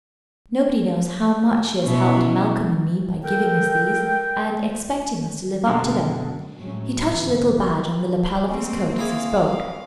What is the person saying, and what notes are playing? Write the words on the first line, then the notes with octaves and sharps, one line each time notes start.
"Nobody knows how much she has helped Malcolm and me by giving us these, and expecting us to live up to them." He touched a little badge on the lapel of his coat, as he spoke.
B2 C#4 E4
A4 A#4 G5
F#2 B2 D3 G#3
A2 F#3 G#3 C#4
G#2 D3 E3 B3
A#3 C4 C#4 C6
E4 G#4 F5 D6